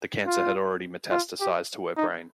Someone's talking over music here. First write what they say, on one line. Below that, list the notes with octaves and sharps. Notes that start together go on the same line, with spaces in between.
The cancer had already metastasized to her brain.
F4
F4
G4
D#4